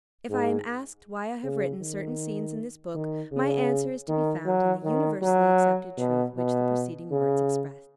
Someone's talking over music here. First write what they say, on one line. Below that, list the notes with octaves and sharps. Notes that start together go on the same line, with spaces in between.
If I am asked why I have written certain scenes in this book, my answer is to be found in the universally-accepted truth which the preceding words express.
G#2
C#3
D#3
D#3
C#3
D#3
F#3
D#3
F#3
B2
B2
C#3